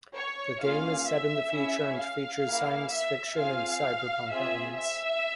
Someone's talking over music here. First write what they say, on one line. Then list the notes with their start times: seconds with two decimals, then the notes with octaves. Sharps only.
The game is set in the future and features science fiction and cyberpunk elements.
0.15 C#5
0.61 A#3 C#4 F4 G#4 F5
1.08 E5
1.54 C#4 E4 G#4
2.00 F5
2.46 A#3 E4 G#4
2.92 E5
3.38 C4 F4 G#4 F5
4.31 C4 F4 G#4 E5
4.77 E5